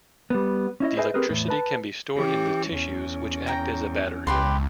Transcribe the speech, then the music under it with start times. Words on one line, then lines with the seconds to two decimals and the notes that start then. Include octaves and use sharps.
The electricity can be stored in the tissues, which act as a battery.
0.30 G3 B3
0.80 C#4 E4 D#5
0.97 G#4 B4 C5 D#5 E5 G#5
1.14 C4 G4 G#4 A#4 B4
1.28 E2 A2
1.48 B4 A5
2.16 E3 C#4 G4
2.71 E2 C#4
3.47 A#4 G5 A#5
4.27 C#2 G4 B4 C6